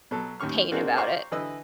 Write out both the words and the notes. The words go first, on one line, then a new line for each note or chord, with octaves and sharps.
pain about it.
B2 F#3 A4
D#2 D#3 C#4 C#6 F6
G#3 A#3 C4 D4 F4 F#4
C5 D5 F5 G5 A#5 C#6
D3 E3 B4 D#5 E6